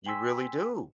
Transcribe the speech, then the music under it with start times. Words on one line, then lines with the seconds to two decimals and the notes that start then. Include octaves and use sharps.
You really do.
0.06 G5 G#5 C6 E6 B6